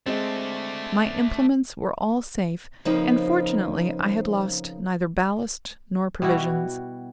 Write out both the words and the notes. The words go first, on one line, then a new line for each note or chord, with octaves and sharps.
My implements were all safe, and, fortunately, I had lost neither ballast nor provisions.
G#3 A3 C4 D4
C#3 F3 A#3 C4 D#4 B4
B2 G3 E4 F#4